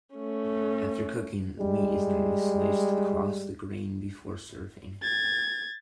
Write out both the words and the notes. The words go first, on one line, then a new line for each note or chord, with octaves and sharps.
After cooking, the meat is normally sliced across the grain before serving.
A3 C#4
G3 G#3
G#6 A6